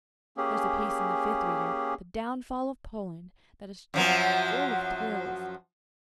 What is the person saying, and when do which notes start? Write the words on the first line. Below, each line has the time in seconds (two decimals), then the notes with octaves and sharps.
There is a piece in the Fifth Reader--'The Downfall of Poland'--that is just full of thrills.
0.37 A#3 C#4 G4 G#4
3.94 F#2 F3 F#3